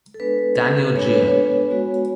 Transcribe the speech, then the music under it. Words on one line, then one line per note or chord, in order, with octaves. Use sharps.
Daniel Jiya.
A4
G#3 B3 D4 B4
G#3 B3 D4 C#5
B4
C#5
G#3 B3 F#4